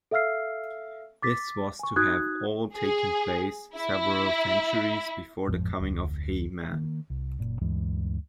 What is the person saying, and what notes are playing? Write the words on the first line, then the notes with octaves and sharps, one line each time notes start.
This was to have all taken place several centuries before the coming of He-Man.
A4 E5 F5 E6 F6 C7
D6 A6 B6
G#5 C#6
D#4 F#4 D#6 F#6 G#6
G#4
E4
A1 F2 G#2 F3
F1 D2
D#3 A#3
C2
F#1 A#2
D2 G2 E3 G#3